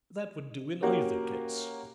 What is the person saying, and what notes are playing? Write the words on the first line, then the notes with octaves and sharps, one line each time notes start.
That would do in either case.'
A#3 C#4 F#4 G4 A#4